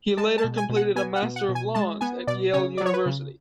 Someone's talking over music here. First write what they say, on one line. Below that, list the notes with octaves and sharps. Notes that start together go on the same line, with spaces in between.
He later completed a Master of Laws at Yale University.
G#3 A5
A5
B2
G#5
B2
F#5
B3 G#5
F#5
B2
F#5
B2
G#5
G#3 A5
B3 G#5
B2 D5
C#3 C#5
D5
F#3 C#5
B4
C#3